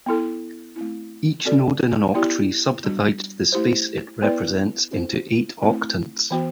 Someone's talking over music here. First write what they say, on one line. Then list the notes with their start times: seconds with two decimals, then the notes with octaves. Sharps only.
Each node in an octree subdivides the space it represents into eight octants.
0.06 B3 E4 A4
0.76 A3 C4 E4
1.45 C4 F#4 A4 D5
2.14 B3 E4 G4 D5
2.84 G3 B3 D4 F#4
3.52 A3 E4 G4 C5
4.22 B3 E4 B4 D5
4.92 C4 E4 A4 C5
5.62 A3 C4 E4
6.31 E3 B3 F#4 C5